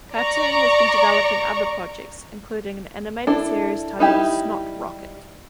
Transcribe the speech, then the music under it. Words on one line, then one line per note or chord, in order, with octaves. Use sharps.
Cartoon has been developing other projects, including an animated series titled "Snotrocket".
D5 A#5 C#6
D4 E4 A4
G3 D#4 E4 G4